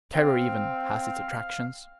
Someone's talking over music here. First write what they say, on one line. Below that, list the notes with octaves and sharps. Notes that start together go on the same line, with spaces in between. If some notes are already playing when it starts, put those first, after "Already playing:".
Terror even has its attractions.
C4 F5 F6